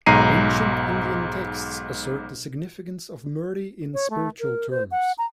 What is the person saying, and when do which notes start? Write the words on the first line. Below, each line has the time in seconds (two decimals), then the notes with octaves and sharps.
Ancient Indian texts assert the significance of "Murti" in spiritual terms.
0.06 B1 G#2 A#5 C7 D#7
3.94 C#5
4.10 A3
4.40 A#4
4.70 C5
4.91 F#5
5.18 A#5